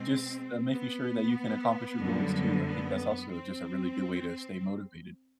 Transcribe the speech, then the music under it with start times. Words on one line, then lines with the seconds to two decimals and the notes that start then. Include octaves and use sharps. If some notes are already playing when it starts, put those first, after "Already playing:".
just, uh, making sure that you can accomplish your goals too. I think that's also just a really good way to stay motivated.
Already playing: B2 G#3 C4
0.70 B3
2.00 F#2 D3 G3 A#3
2.65 B3
3.30 C4